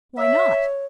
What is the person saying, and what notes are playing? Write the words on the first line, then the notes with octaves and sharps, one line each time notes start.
Why not?
C#5 E5